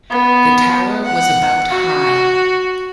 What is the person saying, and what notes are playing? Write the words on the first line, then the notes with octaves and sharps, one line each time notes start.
The tower was about high.
B3
F#5
F#4